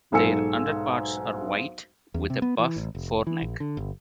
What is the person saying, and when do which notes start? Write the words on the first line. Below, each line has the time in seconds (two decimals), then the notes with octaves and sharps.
Their underparts are white, with a buff foreneck.
0.12 B1 G#2 A4 G#5 E6 C#7
2.14 E2
2.30 C3
2.42 B3
2.58 E3
2.76 A1
2.95 F1
3.27 E3
3.42 A#1
3.60 D3
3.77 G1